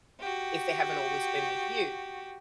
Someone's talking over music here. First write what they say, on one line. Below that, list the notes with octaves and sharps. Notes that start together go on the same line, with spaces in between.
if they haven't always been with you.
F#4 G4